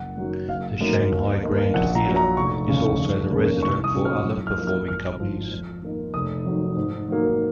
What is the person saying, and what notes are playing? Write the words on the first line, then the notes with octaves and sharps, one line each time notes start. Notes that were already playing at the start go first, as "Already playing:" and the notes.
The Shanghai Grand Theatre is also the resident for other performing companies.
Already playing: F#1 F#5
F#2 D#3 F#3
F#1 F5
F#2 D#3 A#3
D#2
D#3 A#3 D#4
A#1 F#5
A#5
A#2 F#3
A#5
F1 C#6
D#2 C#3
F1
D#2 D#3 A#3 C#4
C2 C#6
D#6
A#2 F#3 C#4
F6
F#2
F6
F3 A#3 D#4
F6
G#1 F6
G#2 F3
F2
D#3 A#3 D#4
F1 D#6
F2 D#3 F#3 C4
G#2
D#3 F#3 A#3